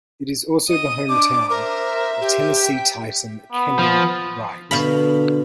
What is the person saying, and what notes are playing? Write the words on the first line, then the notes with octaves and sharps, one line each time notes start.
It is also the hometown of Tennessee Titan Kendall Wright.
D#5 D#6
D4 D6
A#4 C5 E5
G4
G5 B6
B3
F3
B2 D3 F5 B5